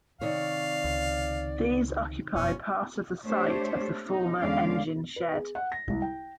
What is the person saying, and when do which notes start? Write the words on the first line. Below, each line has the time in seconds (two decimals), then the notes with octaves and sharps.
These occupy part of the site of the former engine shed.
0.21 C3 D#3 C#5 D5 F5
0.84 C#2
2.34 F#1 F2 B2 C#4
3.25 A3 D4 G4 C5 C#5
4.07 D#4
4.39 E2 D3 G#3 C#4 D5 F5
5.16 B4
5.32 G#4
5.55 F#5
5.72 A#6
5.90 C2
6.02 G5